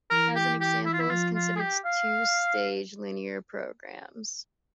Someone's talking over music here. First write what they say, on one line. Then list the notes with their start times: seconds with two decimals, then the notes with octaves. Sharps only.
As an example, consider two-stage linear programs.
0.11 E3 A#4
0.35 G4
0.61 G4
0.86 E4
0.93 F4
1.00 E4
1.10 F3 F4
1.35 F4
1.56 G#4
1.60 G4
1.85 F5